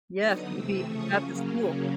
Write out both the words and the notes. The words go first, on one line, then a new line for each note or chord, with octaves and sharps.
Yes, you'd be at the school.
D3 F#3 B3 D#4 D#6 F6
C3 E3 A3 C4 D6 E6
C#3 F3 A3 C#4 C#6 D#6
C#3 F#3 A#3 C#4